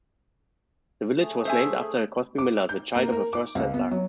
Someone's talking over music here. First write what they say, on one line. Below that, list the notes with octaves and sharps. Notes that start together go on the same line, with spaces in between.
The village was named after Cosby Miller, the child of a first settler.
A3 G#4
C5 E5 G#5
D6
G6
A#3
A#4
D6
C#2
B3
F#3